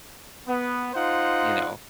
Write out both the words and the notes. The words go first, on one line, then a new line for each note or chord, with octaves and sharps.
you know
B3
D#4 F4 C5 F#5